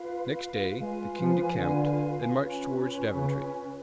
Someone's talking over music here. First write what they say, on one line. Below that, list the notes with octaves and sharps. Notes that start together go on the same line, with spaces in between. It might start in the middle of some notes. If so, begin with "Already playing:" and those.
Next day, the king decamped, and marched towards Daventry.
Already playing: F4 B4 F5
G#3 F4 B4 F5 G#5
F3
D3
C#4 F4 B4
C#3